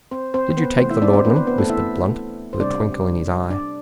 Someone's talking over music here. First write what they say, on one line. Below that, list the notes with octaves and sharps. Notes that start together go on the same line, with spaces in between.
"Did you take the laudanum?" whispered Blunt, with a twinkle in his eye.
C4 C5
C4 C5
C5
B3 B4
C3 E3 A3 C4 C5
E4 E5
D4 D5
C4 C5
B3 B4
C4 C5
B3 B4
A3 A4
E4 E5
C5
C3 G3 D4 D5
D4 D5